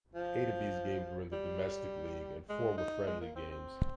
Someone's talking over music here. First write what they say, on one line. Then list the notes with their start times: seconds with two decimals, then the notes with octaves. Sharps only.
Eight of these games were in the domestic league and four were friendly games.
0.15 F3
1.32 G3
2.49 G#3
2.78 D#4
3.07 G#3
3.21 A#3
3.36 C4
3.51 C4